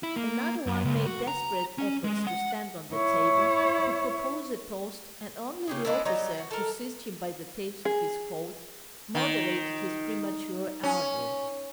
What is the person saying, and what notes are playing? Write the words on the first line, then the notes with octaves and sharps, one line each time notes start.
Another one made desperate efforts to stand on the table, to propose a toast, and only the officer, who seized him by the tails of his coat, moderated his premature ardour.
E4
A#3
F#2
C#2
F#4
A#5
C#4
G#3
F#5
E4 C#5
C#3 G4 G#4
G#3 B3 D4 E4
F#3 G3 D#4 A#5
F#4
A4 A#4
G#4
D#3
C#4